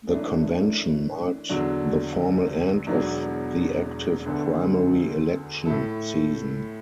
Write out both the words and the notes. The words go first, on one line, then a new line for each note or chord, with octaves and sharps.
The convention marked the formal end of the active primary election season.
F#2 E3 A3 D4
E2 D3 F#3 D4 F#4
E1 E2 B2 F#3 D4
D2 D3 B3 D4 A4
A2 A3 E4 A4